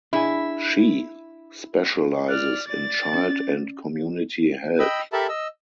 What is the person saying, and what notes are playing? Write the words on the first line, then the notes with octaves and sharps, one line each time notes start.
She specialises in child and community health.
D4 E4 G#4 G#5
D5 F6 F#6
D5 A6
C#4
D#5 G5 B5 E6
G4 A4 A#4 E5 A5 B5
D#5 E6